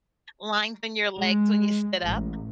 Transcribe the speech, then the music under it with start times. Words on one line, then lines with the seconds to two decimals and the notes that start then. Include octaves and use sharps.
lines in your legs when you stood up?
1.18 G#3
2.03 A1